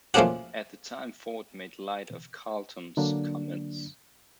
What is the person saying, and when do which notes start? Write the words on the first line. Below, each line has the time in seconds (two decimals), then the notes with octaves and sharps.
At the time Ford made light of Carlton's comments.
0.14 F3 A3 A#3 C#4 D4 F#4
2.97 D3 F#3 A#3 D4